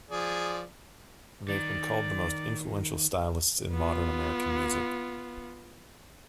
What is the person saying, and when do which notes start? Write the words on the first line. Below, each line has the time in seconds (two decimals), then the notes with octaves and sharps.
They have been called the most influential stylists in modern American music.
0.11 F3 G#4 D5
1.49 D#3 D5
3.73 B3 F4